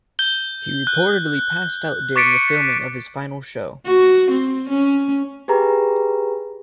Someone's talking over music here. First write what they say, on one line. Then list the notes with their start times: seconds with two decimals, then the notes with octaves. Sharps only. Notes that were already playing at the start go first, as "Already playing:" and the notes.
He reportedly passed out during the filming of his final show.
0.19 G6 G7
0.87 F#6
2.16 C#6 D6 A6 B6 C#7 D7
3.86 F#4
4.31 C4
4.69 C#4
5.48 G4 G#4 B4 A#5